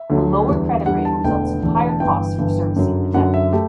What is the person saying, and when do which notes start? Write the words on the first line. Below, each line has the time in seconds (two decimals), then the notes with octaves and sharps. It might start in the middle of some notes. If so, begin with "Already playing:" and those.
A lower credit rating results in higher costs for servicing the debt.
Already playing: E5
0.10 D2 D3 F#3 A3
0.48 E2 D3 G3
0.86 E2 D3 G3 F#5
1.05 A5
1.24 E1 E2 D3 A3 G5
1.62 E1 E2 D3 A3
1.89 A5
2.00 G1 G2 E3 G5
2.38 G1 G2 E3
2.76 F#2 D3 F#3
3.14 F#2 D3 F#3 F#5
3.34 E5
3.52 A3 G4